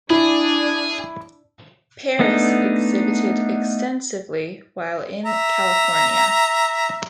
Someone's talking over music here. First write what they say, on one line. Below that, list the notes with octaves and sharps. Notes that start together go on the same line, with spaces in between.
Paris exhibited extensively while in California.
D4 E4 G#4
A3 B3 D4 D#4
E5 A#5